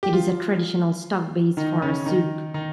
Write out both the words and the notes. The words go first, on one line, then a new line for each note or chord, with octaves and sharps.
It is a traditional stock base for a soup.
G4
F3 F4
D#3 D#4
C#3 C#4
D#3 D#4
D#3 D#4